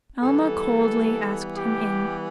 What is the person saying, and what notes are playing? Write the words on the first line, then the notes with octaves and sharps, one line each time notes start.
Alma coldly asked him in.
E3 G3 B3 A4
G4